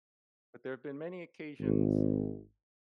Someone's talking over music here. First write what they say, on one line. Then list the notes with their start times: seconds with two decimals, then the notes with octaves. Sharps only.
but there have been many occasions
1.60 G#1